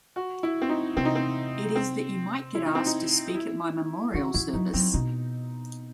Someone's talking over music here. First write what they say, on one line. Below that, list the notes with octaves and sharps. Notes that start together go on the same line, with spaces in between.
It is that you might get asked to speak at my memorial service'.
F#4
E4
C4
D#4
C3 C4
D#4
C4
C4
E4
D#4
C4
D#4
E4
D#3 F#4
E3 E4
F#3 D#4
F#3 C4
B2 D#4